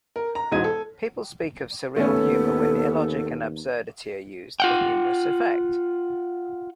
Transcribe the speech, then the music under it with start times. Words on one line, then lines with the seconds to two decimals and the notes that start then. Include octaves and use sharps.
People speak of surreal humour when illogic and absurdity are used for humorous effect.
0.16 A#4
0.35 A#5
0.52 E1 G#2 F#4 D#5 G#6 D#7
0.64 A4
1.96 D#2 A3 B3 C#4 A4
4.60 F4 F#5 G5